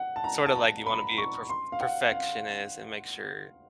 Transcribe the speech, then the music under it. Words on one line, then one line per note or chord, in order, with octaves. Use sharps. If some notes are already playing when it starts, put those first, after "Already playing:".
sorta, like you wanna be a perf perfectionist and make sure,
Already playing: F#5
A5
A#5
A5
A#5
B5
C#6
C6
F5
F#5
F5